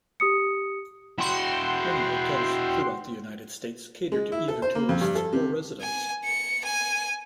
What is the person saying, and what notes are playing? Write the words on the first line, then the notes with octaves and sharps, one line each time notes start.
Many hotels throughout the United States cater to either tourists or residents.
G4 D#6 C#7
E4 F#4 F#5 G5 C6
G#3
E4
A4
C5
A#3
F2
G2
A4
C3
G#5
C#7
G#5